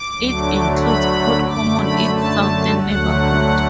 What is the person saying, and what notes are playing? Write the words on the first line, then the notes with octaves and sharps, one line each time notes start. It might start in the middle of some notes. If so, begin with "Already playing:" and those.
It includes Pot Common its southern neighbourhood.
Already playing: D6
D2 D3 F#3 A3
B5
F#2 D3 A3 D6
B5
A5
D2 D3 F#3 A3 F#5